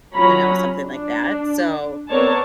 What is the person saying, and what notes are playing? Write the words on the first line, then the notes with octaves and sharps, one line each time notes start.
you know, something like that, so,
F#3 C#4 F4 C#5 A#5 B5
D4
B3 C4 A#4 C#5 D5 A5